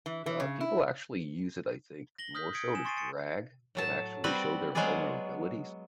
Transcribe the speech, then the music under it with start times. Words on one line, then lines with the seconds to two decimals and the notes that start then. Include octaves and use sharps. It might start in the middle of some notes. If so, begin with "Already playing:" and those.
uh, people actually use it, I think, more so to brag than actually show their vulnerabilities.
0.06 E3
0.26 E3
0.40 C#3
0.61 E4
2.18 A#6 F#7 G7
2.35 D#6 F6 G6 B6
2.55 D#6 G#6 B6 C#7 D7
2.72 G#5 E7
2.85 C6 C#6 A6 C7 D7 D#7
2.97 A6 C#7
3.75 A2 F#3 A5
4.24 G3 C4 F#4 B4 D5
4.75 F#3 G#3 B3 F4 G#4 D5